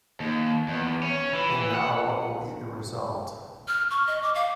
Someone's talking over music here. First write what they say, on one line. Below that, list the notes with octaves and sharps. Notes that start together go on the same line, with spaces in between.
And now what will be the result?
D#2
E2
C#4
E3
F#5
F6
C#6
D#5
D6
F5